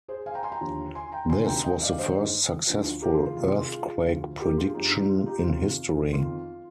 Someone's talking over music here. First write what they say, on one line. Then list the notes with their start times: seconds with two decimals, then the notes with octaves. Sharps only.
This was the first successful earthquake prediction in history.
0.08 G#4 C5
0.26 F5 G#5
0.34 G5 A#5
0.43 G#5 C6
0.52 G5 A#5
0.61 D#2 D3 F3
0.95 G#5 C6
1.12 G5 A#5
1.29 D2 C3 D#3 G#5 C6
1.46 G5 A#5
1.64 D#5 G5
1.82 D5 F5
1.98 G2 D#3 C5 D#5
2.67 D2 D3 F3
3.02 G4 A#4
3.14 F4 G#4
3.25 F4
3.36 C2 C3 D#3 F4
3.48 F4
3.59 F4 G#4
4.06 D2 D3 F3
4.41 G4 A#4
4.57 F4 G#4
4.74 G2 F3 D#4 G4
4.92 D#4
5.09 F4
5.26 D#4 G4
5.44 F2 C3 D#3 F4
6.13 F2 D#3 F4